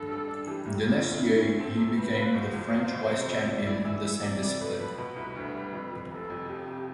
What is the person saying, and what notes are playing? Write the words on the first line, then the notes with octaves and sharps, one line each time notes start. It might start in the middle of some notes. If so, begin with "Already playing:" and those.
The next year, he became the French vice champion in the same discipline.
Already playing: G2 A4
G3
D4
E3 G4
C2
E1 F4
D2
D3 E4
D2
C4 A4
C3
C4 B4
F4
B2 C5
E2
F4
B2
C3
F2
E4 D5
E4
E3 E5
E3
C3 D5
F2
A3 B4
F3
B2 B4
C2
D2
G3
F2
F2
F1 A4
F2
F3 G4
C3